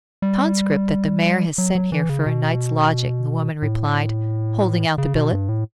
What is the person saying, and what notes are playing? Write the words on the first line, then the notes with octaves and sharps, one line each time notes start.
"A conscript that the mayor has sent here for a night's lodging," the woman replied, holding out the billet.
G3
F#3
F#3
E3
C#3
B2
A2
C#3
B2
G2
A2